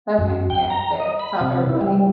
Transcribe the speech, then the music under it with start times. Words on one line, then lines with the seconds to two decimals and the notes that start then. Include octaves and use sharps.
Okay, fair, fair. It's not for everybody.
0.18 F#2
0.50 G5
0.70 A#5
1.00 D#5
1.19 B5
1.41 C3
1.69 E4
1.81 G3